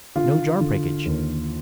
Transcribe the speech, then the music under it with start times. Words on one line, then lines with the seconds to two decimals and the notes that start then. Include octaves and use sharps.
No jar breakage.
0.15 D3 F4
0.61 D3
1.05 D#2